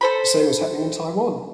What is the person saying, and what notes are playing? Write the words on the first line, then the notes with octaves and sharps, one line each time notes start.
The same was happening in Taiwan.
A4 C5 B5